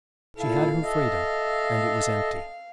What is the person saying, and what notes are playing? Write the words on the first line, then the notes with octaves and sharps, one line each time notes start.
She had her freedom, and it was empty.
A#2 E4 A4 F5
A4 D#5 E5